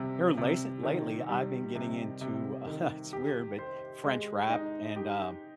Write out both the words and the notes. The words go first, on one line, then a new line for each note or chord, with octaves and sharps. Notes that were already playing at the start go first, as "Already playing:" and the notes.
here, lasely lately, I've been getting into, uh, it's weird, but French rap and, um,
Already playing: C3 G3
C3
D#3
G3
C3
C3
D#3
G4
C5
G#3
D#4
G4